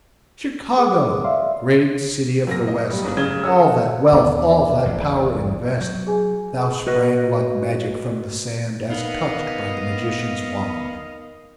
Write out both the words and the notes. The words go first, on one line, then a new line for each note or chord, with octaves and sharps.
Chicago! great city of the West! All that wealth, all that power invest; Thou sprang like magic from the sand, As touched by the magician's wand.
G#4 D6
C#5 D5 E5 F5 C6
F#2 A#4 A#6
D#5
F#3 G3
G1 G#2 D#6
F1 F#2 C#3 G#6 G7
F#4 A4 A#4 C#5 D#6 E6
D#2 G#3 B3 D5 D6
A1 E2 A2
F#3 G6
G#4 G#5
F#4 B4 D#5
B3 D#4 A#4 D#5 F5